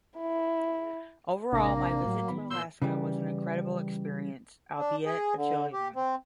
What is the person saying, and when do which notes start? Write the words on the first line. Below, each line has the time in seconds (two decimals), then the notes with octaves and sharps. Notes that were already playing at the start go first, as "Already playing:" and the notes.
Overall, my visit to Alaska was an incredible experience, albeit a chilly one.
0.18 E4
1.53 A1 C3 A#3 D4 A#6
2.06 A2 F#3
2.28 D#3 B3 B5
2.50 A#2 C6 E6 G6
2.82 C#3 E3 G3
4.79 D4
5.06 G#4
5.37 D3
5.73 G4
5.96 C4